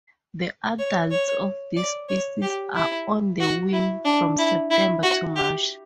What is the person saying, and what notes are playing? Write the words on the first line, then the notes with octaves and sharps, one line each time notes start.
The adults of this species are on the wing from September to March.
C#5
C#5
D5
C#5
G4
E4
F#4
E4
D4
E4
E4
F#4
G4